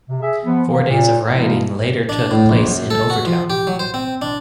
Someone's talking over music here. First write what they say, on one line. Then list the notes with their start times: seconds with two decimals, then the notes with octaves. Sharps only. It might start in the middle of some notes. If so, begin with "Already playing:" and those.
Four days of rioting later took place in Overtown.
0.09 C3
0.22 G#4 E5
0.45 F3 B3
0.67 D#3 E3 F#3 A#3
0.89 A#2
1.33 G#2 B2 E3 G#3 A#3 E4
2.09 D4
2.31 A2
2.49 A#1
2.67 F#2
2.90 A4
3.10 F#4
3.25 F3
3.50 G4
3.67 F#3
3.79 C5
3.94 C4
4.22 D4